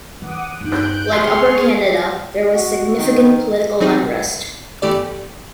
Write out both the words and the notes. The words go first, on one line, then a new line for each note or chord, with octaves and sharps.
Like Upper Canada, there was significant political unrest.
E3 F#5 D6 D#6
G1 D#4 F#6 G6 D7
C#2 A3 G#4 C6 C#6 F6
F#4
D#3
F#3 C4 D#4 G#4
G1 E3 A3 G4 D5